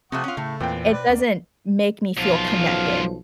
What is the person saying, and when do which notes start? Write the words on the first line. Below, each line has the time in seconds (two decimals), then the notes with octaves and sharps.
it doesn't make me feel connected
0.12 C3 F3 A3 C4 F#5 C#6 D#6
0.24 C#4 F4
0.37 A2 C#3 A3
0.60 E2 A#2 E3 C4 B4 G5
0.93 B2 B4 D5
1.09 D#2 A#3 C4 C#4
2.17 B1 F#2 F3 F4